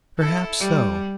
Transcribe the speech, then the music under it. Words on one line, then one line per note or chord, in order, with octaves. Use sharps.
Perhaps so.
E4 A4
G3